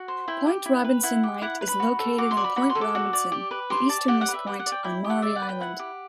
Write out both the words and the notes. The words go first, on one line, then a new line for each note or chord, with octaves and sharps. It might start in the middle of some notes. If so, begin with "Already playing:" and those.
Point Robinson Light is located on Point Robinson, the easternmost point on Maury Island.
Already playing: F#4 F#5
C5
E4 G5
G4
E4
B4
E4 F#5
G4
E4 F#5
B4
B5
F#4
A4
F#4 D6
C6
D5
B5
F#4 B5
C6
A4
D6
F#4
D5
G4
B4
G4 C6
D5 A5
G4 F#5
F#5
B4
E5
G4 F#5
F#5
D5
G5
E4 G5
G4
F#5
D5 E5
F#5
B4
G5
E4 F#5
G4